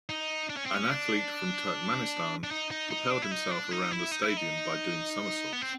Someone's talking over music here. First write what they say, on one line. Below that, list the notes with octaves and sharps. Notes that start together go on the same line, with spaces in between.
An athlete from Turkmenistan propelled himself around the stadium by doing somersaults.
D#4
D4
C#4
C4
C#4
D4
D4
D#4
D#4
D#4
D4
E4
D#4
D4
D#4
E4
D#4
E4
D#4
B3
C4